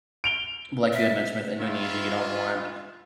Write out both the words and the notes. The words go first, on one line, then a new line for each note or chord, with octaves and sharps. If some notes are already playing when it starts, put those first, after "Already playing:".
like you had mentioned with Indonesia, you don't want
D7 F7 G7
E5
D#3 E3 E4 F4